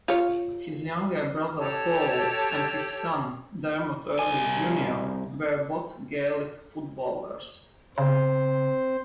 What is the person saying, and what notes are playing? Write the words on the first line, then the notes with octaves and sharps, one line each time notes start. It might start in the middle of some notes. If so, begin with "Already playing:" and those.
His younger brother, Paul and his son, Dermot Earley Junior were both gaelic footballers.
F4 C#5
G4 A4 C#5 A5
C2 G#5
C#3 C4 C5